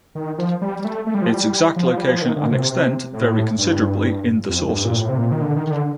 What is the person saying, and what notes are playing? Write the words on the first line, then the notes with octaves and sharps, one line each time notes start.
Its exact location and extent vary considerably in the sources.
D#3
F3
G3
G3
A3
A3
G3
F3
G3
F3
G3
F3
D#3
D3
A#2
C3
A2
G2
F2
F2
G2
A#2
A2
C3
A#2
D#3
D3
D#3
D#3
D3